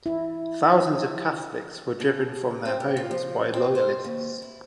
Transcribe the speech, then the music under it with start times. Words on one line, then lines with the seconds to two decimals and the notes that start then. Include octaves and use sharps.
Thousands of Catholics were driven from their homes by loyalists.
0.06 E4
2.00 B2
2.65 C4
2.80 G4
2.97 F4
3.11 F3
3.54 C4
3.75 C5
4.04 D#2
4.42 E4